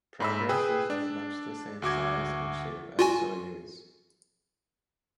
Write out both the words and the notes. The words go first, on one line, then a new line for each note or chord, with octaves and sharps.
Progress is of much the same size and shape as Soyuz.
G#2 B5 E6
G#4 B4 G5 D#6 E6
D4
D2 F#4 D6 G#6
F4 F#4 G#5